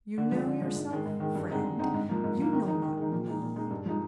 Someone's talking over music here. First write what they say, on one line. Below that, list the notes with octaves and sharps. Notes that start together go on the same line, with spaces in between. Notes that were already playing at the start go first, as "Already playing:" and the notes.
You know yourself, friend; you know not me.
D3
F3 G#3 D4
D3
F3 G#3 D4
G#2
D#3 G#3
G#2
D#3 G#3
G2
D3 G#3 C4 D#4
G2
D3 G#3 C4 D#4
G#2
F3 A#3
G#2
F3 A#3
D#3
G#3 D#4
D#3
G#3 D#4
A#2
G#3 D#4
A#2
G#3 D#4
G2
F3 G#3 D#4